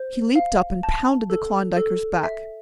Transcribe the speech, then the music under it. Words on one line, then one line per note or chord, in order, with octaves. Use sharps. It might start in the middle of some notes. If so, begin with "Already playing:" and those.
He leaped up and pounded the Klondiker's back.
Already playing: C5
F5
A5
A4
A4
E5